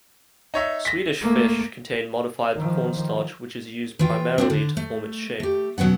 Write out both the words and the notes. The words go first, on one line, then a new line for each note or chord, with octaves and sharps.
Swedish Fish contain modified cornstarch which is used primarily to form its shape.
D#4 C#5 E5
A#6 B6
A3 A#3
D#3 F3
E3 F4 G5
C4 D4 F#4
D3
A3
A3 G4
B2 F#3 B3 C#4 F#5